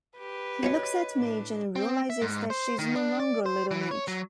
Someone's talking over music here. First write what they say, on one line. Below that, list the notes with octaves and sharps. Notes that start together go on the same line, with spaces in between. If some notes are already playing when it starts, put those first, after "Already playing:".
He looks at Midge and realises that she is no longer "little Midge".
G4 B4
C#4 F4 F#4 C#5 D#5
A2 D4
C4
E5
G#2
C5
D#3
D4
D5
C5
E3
C#5
F#3